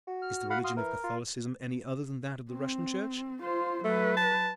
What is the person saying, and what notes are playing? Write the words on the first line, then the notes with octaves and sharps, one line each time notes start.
Is the religion of Catholicism any other than that of the Russian Church?
F#4
F6
F5 F#5 B5
F5 C6 D#6
E3 A#4
F4
C4
F4 C5
F#3 A3 B4
A5